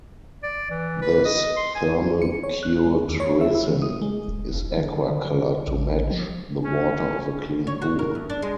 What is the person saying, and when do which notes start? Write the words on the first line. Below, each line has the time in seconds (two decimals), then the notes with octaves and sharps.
This thermal-cured resin is aqua-colored to match the water of a clean pool.
0.43 D5
0.71 E3
1.02 B4
1.25 D#5
1.57 C6
1.75 G#5
2.22 C#7
2.43 C#5
2.63 F#6
2.86 G#3
3.09 D#2
3.20 C#5
3.41 E5
3.55 E4
3.69 E3
3.82 D#6
4.02 G#3
4.28 D1
4.55 E1
4.77 D3
5.09 D3
5.68 A1
6.10 F3
6.63 C#4
7.67 C#5
7.82 F#4
7.99 A#4
8.15 D2
8.30 D4
8.42 G#3